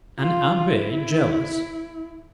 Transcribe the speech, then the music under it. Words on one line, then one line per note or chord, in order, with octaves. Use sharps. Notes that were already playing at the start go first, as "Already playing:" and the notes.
"An abbe jealous?"
F4
E4